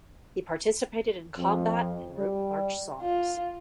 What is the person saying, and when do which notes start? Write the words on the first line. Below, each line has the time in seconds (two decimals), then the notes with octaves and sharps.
He participated in combat and wrote march songs.
1.37 F2
2.19 G3
3.02 F4